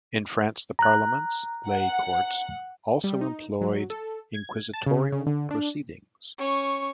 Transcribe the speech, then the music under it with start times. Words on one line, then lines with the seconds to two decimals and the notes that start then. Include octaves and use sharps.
In France, the "parlements" - lay courts - also employed inquisitorial proceedings.
0.79 A#5 F#6
1.68 F#5
3.04 G3
3.21 D#4
3.61 F#3
3.90 A4
4.34 G#6
4.73 A5
4.86 C#3
5.12 C#3
5.27 D3
5.51 D4
6.39 C#4 C#6